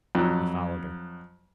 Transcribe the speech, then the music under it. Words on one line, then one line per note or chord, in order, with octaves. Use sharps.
He followed her.
F2 F#3